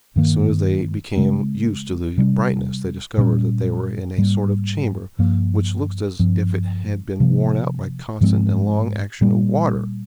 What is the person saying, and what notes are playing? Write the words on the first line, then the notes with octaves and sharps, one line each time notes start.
As soon as they became used to the brightness they discovered that they were in a sort of chamber which looked as if it had been worn out by constant and long action of water.
G2 D#3 A#3
C#3 G#3 C4
C3 G3 C#4
A#2 G3 A#3 C#4
G#2 G3 A#3
G2 F3 A#3
G2 F3 C4
C3 F3 A#3
G#2 F3 G#3 C4
A#2 G3 A#3